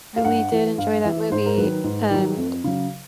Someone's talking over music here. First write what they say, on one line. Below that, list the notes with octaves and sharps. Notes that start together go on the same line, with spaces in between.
really did enjoy that movie, and
F5
G2 F#5
E3
G2 F5
E3 E5
G#2 C5
A#4
D#3 F#3 B4
G#2
D#3 F#3
F2
C#3 F#3